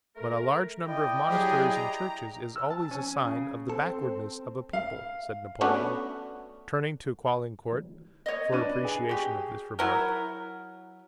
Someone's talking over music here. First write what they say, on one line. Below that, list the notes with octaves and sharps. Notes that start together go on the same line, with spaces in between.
"But a large number of monasteries and churches is always a sign of the backwardness of a people," said Napoleon, turning to Caulaincourt for appreciation of this remark.
A3 A#4
E4 D5 D#5 G5
F#3 G4 G#4
A#5
E6
A5
C#4
C#3
C4 A4
F5
A3 B3 C#4 D4 F#4 B4
C#5 D#5
D4 B4 D#7
G#4
F#4 G4
F#3 E4 A#4